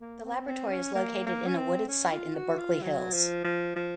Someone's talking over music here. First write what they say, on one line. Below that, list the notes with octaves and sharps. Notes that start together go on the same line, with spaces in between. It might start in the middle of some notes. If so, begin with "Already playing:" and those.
The Laboratory is located in a wooded site in the Berkeley Hills.
A#3
C4
C4
C#4
A#3
A#3
C#4
C4
C#4
F4
F#4
F4
F#3
F3
F3
F3